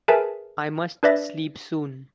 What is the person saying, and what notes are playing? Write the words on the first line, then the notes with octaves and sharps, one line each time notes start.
I must sleep soon.
G#4 A#4 B4 E5 G#5 A5
D4 B4 D5 E5 A#6